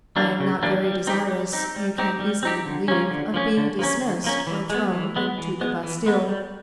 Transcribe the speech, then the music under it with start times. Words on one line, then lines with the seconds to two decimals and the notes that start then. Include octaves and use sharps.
I am not very desirous, you can easily believe, of being dismissed or thrown in to the Bastile.
0.16 E3 G3 A#3 D4
0.40 C#3
0.63 E3 G3 A#3 D4
0.84 G3
1.07 C4 D#4 G4
1.31 G3
1.53 C4 D#4 G4
1.76 G3
1.98 C4 D#4 G4
2.20 G3
2.43 C4 D#4 G4
2.65 D3
2.88 F3 A#3 C#4
3.11 D3
3.34 F3 A#3 C#4
3.57 D3
3.79 F3 A#3 C#4
4.02 D3
4.24 F3 A#3 C#4
4.47 E3
4.70 G#3 B3
4.93 E3
5.16 G#3 B3
5.38 E3
5.61 G#3 B3
5.83 E3
6.06 G#3 B3
6.28 G3